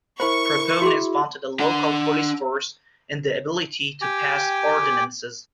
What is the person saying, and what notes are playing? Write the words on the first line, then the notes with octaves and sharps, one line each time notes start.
Proponents wanted a local police force and the ability to pass ordinances.
E4 A#4 C5 B5 C#6
E4 F#4 G#4
D4 F#5
G4 G5 G#5 D6